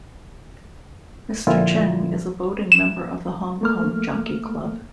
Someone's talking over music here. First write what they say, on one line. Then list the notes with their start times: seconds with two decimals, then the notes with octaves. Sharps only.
Mr. Cheng is a voting member of the Hong Kong Jockey Club.
1.47 A#2 D3 F3 E4 F4
2.72 E7
3.61 A3 A#3 F6